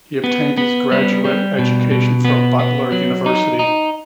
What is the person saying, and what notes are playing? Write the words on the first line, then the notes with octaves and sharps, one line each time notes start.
He obtained his graduate education from Butler University.
B3
B3
G3
G3
B2
B2
B3
B3
F#3
D#4
D#4